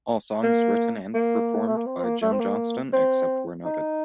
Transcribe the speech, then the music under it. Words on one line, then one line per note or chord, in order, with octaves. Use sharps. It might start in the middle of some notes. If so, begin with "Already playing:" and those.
All songs written and performed by Jim Johnston, except where noted.
A#3
A#3
A3
A#3
C4
C4
A#3
A3
C4
A#3
C4
D#4